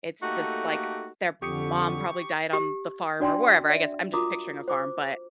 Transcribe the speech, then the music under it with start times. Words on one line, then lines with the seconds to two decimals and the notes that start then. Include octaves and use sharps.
it's just, like, their mom probably died on the farm or wherever, I guess I'm just picturing a farm, but
0.23 A3 A#3 D#4 F#4 G4 A4
1.42 F2 D3 G4 C#6 D#6 C#7
2.53 G4
3.20 D4 F#4 D5 G5 G#5 C6
3.70 D5 E5
4.13 F4 F#4 A#4 A#5 D6 D#6
4.68 C5 D6